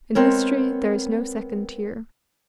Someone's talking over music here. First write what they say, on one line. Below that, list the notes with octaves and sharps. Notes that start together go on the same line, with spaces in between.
In history there is no second tier.
G#3 B3 C4 A#4 C#5